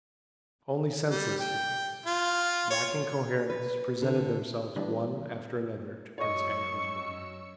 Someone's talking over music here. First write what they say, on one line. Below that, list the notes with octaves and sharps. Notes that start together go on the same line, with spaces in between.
Only senseless things, lacking coherence, presented themselves one after another to Prince Andrew's mind.
G3
G5
F4
C#5
B4
D3
E3 G3 D4
F#2 C#5 D#5 C#6 E6 C#7